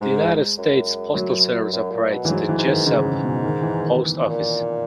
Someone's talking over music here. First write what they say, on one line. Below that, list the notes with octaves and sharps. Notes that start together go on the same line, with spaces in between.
The United States Postal Service operates the Jesup Post Office.
G#2 G#3
F#2
F#3
F#2
A#2
B2
E3
G#2 F#3
E3
G#2
D#3
G#2 C#3
C#3
B2
D#3
E3
D#3
A#2